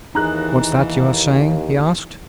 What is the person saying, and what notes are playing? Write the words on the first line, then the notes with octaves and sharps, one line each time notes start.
"What's that you are saying?" he asked.
D#2 E3 D#4 G#4 A#5 F#6